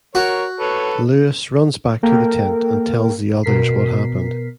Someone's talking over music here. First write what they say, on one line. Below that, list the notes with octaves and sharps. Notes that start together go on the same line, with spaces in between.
Lewis runs back to the tent and tells the others what happened.
F#4 A#4 C#5
A4 B4 C#5
A#3 A4 A#4 G5
B2 A#4 B6 C7